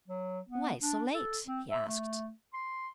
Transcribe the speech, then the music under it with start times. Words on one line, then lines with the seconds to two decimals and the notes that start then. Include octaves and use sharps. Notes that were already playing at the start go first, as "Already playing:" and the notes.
"Why so late?" he asked.
0.08 F#3
0.49 B3
0.82 D4
1.14 A4
1.47 C4
1.70 E5
1.87 A3
2.53 C6